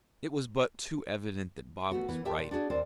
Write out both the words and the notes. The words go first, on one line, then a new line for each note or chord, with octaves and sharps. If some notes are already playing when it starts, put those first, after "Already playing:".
It was but too evident that Bob was right.
A3 B3 F#4
E3 B3
G4 A#4 E5 G5 A5
A#2
D4 F#4 G#4
D#2 C4 A#4 D5